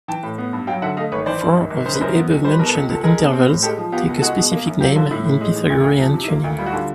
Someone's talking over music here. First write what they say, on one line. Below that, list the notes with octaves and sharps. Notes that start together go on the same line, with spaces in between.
Four of the above-mentioned intervals take a specific name in Pythagorean tuning.
E3 G5 A5
A2
B3
G2
F#3 F5 G5
D3 E5 F#5
A3 D#5 F5
G#1 B4 C#5
E3 C5 D5
G2
G#1
G#1
C#3 C5
B4
F#2 A#4 C5
B3
C#2
G3 C5
B4
B2 A#4
A4 B4
C#2
C#2 A4
G#3 G#4 A#4
B2
C4
A2
G#3 G4 A4
F3
B3 F4 G4
C#2
A4
G#3 F#4 G#4
B2
A#3
F#2
F#3 F4 G4
D3 F4
A2 E4
A2
G#3
E3
D2
D2
F3
C3
E4
A#3 F4
D2 F4
G3 F4
F#4
D3 F4